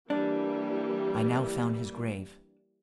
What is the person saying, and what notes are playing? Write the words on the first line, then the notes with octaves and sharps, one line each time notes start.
I now found his grave.
E3 G3 A#3 D4